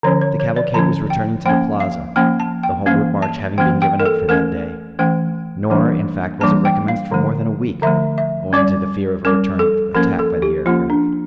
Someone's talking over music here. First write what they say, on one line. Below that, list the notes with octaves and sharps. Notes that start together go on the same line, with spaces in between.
The cavalcade was returning to the plaza, the homeward march having been given up for that day; nor, in fact, was it recommenced for more than a week, owing to the fear of a return attack by the air craft.
D3 F3 C#4 C#5
C#5
C#5
D5
D3 F3 C#4 A5
G5
F3 A#3 C#4 G5
F5
F3 A#3 C#4 G5
A5
G5
E3 A#3 C#4 F5
A5
E3 A#3 C#4 G5
G5
A#4
A4
E3 A3 C#4 A#4
E3 A3 C#4 G5
E3 G3 A#3 D4
E3 G3 A#3 D4 A5
G5
F5
D3 F3 A3
D3 F3 A3 E5
E5
G3 C#4 D5
G3 C#4 A#4
A4
F3 A#3 C#4 A#4
A4
G4
F3 A#3 C#4 F4
D4